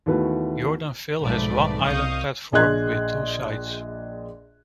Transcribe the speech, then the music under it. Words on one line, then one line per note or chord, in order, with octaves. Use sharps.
Jordanville has one island platform with two sides.
D#2 E3 A3 B3 F#4 B4
B1 F2 G#2 A3 B4 D5
C2 D#5 F5 C#6 D#6 G6
A#1 G#4 D#5 C6 F#6 G#6